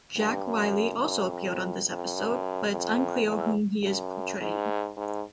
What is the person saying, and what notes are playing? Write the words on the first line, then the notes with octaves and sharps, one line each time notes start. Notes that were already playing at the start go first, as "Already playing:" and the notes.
Jack Riley also appeared on this episode, but it's unclear whom he is portraying.
G2
F#2
F#2
F2
F2
F#2
F2
E2
F#2
G#2
G#2